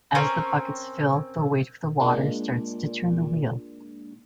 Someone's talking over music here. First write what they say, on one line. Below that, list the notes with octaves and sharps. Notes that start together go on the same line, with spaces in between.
As the buckets fill, the weight of the water starts to turn the wheel.
C4 C#4 A#4 C#5
A#2 G#3 A#3 D4